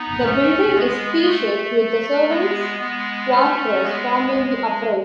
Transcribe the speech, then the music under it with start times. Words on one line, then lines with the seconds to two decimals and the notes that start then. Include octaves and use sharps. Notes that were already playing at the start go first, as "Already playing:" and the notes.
The building is "T" shaped with the servants quarters forming the upright.
Already playing: B3 D#4
0.23 A3 C#4
0.75 G#3 B3
1.26 A3
1.78 A3
2.29 G#3 B3
2.80 G#3 B3
3.31 A3 C#4
3.83 G#3 B3
4.34 G#3